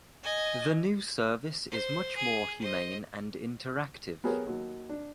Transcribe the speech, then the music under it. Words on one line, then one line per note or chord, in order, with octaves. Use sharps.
The new service is much more humane and interactive.
D#5 G#5
C5
G#4
C5 D#5
B3 G4 G#4 A#4 C#5
D#2 F#3
D4